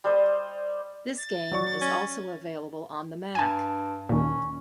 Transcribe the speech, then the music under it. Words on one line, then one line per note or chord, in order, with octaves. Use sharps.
This game is also available on the Mac.
G3 C5 D#5
A6
F#3 D5 C#6
C#4
G2 G#5 A5
D#2 A#2 C#4